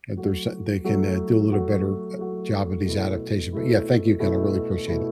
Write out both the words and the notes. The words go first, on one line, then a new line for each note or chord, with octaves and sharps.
if there's, uh they can, uh, do a little better, uh, job of these adaptation but yeah, thank you again, I really appreciate it.
F#3 A3 F#4
F#3 A3 F#4
F#3 A3 F#4
F#3 A3 F#4
B2 A3 E4
B2 A3 E4
B2 A3 E4
B2 A3 E4